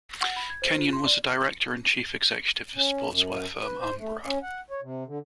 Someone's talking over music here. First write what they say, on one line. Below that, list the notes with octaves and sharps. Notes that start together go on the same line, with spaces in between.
Kenyon was a director and chief executive of sportswear firm Umbro.
F#5
B5
G#6
C5
F4
C6
D5
C#4
F#2
B4
C5
A3
C#4
F#5
C#5
C3
D3